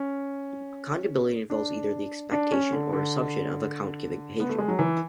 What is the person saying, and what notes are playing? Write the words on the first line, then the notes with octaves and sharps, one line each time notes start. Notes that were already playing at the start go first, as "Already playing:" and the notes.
Accountability involves either the expectation or assumption of account-giving behavior.
Already playing: C#4
D4
D4
C#4
D3
D3
B3
A3
G#3
F#3
E3